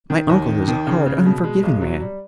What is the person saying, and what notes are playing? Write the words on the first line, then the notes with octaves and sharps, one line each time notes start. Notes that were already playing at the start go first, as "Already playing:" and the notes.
My uncle is a hard, unforgiving man.
D#3
D#2
D#3
D#3
C#3
C#3
B2
G#3
B1
F#3
G3